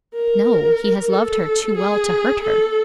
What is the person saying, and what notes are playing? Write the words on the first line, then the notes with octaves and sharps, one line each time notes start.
'No, he has loved her too well to hurt her.'
A#4
A4
G#4
A4